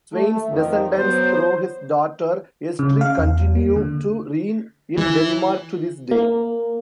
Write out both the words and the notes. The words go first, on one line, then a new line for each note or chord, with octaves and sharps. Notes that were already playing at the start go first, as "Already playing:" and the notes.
Sweyn's descendants through his daughter Estrid continue to reign in Denmark to this day.
A3
F2 D#3
F#3 B3 C5
C#3
F5
E2
A#3
D3
E3
A#3